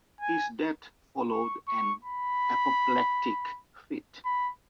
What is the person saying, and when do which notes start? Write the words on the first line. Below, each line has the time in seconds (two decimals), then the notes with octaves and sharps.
His death followed an apoplectic fit.
0.21 G#5
1.31 C#6
1.68 C#6
2.05 B5
4.25 B5